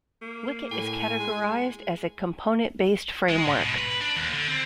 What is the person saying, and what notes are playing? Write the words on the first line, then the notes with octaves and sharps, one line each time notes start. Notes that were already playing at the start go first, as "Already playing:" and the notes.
Wicket is categorized as a component-based framework.
A#3
A2 G#5
G#3
G#3
G#2
B2
B4
D4
D#2
D3
C4